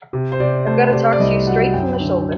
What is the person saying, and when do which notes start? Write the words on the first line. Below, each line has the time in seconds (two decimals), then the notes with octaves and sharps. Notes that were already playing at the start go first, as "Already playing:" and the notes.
I've got to talk to you straight from the shoulder.
0.13 C3
0.32 C5
0.40 C3 D5
0.66 A3 C5
0.89 C5
0.93 C3 D5
1.13 D5
1.20 C2 D#5
1.47 F#3 F#5
1.73 F#2 G5
2.00 D3